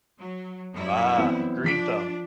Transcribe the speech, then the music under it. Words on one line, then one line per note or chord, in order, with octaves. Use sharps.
Ah, green thumb.
F#3
F#2 G3 E4
E3 B3 C4
F3 D4 B6 D7